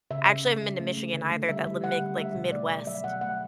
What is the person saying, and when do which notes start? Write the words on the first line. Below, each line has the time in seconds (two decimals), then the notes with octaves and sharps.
actually, I haven't been to Michigan either, that la mig like, Midwest.
0.11 C#3 E5
0.28 C#3
0.46 C#3
0.63 C#3
0.80 A3
0.97 A3
1.14 D3
1.31 A3
1.49 G3 E5
1.66 G3
1.83 G3 F#5
2.00 D3
2.17 A3 E5
2.35 B2
2.52 A3 D5
2.69 B2
2.87 F#3 E5
3.04 B2 F#5
3.21 A3 F#5